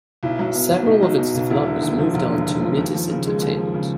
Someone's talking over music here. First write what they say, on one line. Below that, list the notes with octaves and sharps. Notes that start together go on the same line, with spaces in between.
Several of its developers moved on to Mithis Entertainment.
B1 E4
F#3
B2
B1
B1 D#4
F#3
B2
B1
E1 E4
D3
D#2
F3
E1 F4
D3
D#2
F3
D#2
F3
C#3
G#3
D#2
F3
C#3